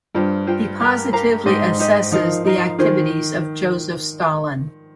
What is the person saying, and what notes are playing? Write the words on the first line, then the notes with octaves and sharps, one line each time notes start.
He positively assesses the activities of Joseph Stalin.
G2 F4 C5 G5
F4 C5 G5
G4 A#4 F5 A#5
G4 A#4 F5 A#5
G#2 D#4 G4 C5 D#5
D#4 G4 C5 D#5
F3 D#4 A#4 F5
D#4 A#4 F5
D#3 F4 G#4 C5